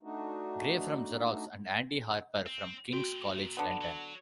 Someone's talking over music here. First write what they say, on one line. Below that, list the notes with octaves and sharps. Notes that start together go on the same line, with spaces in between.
Gray from Xerox, and Andy Harper from King's College London.
A3 D4 D#4 F#4
C4
A#2 F#4 G5
D3 B3
F#3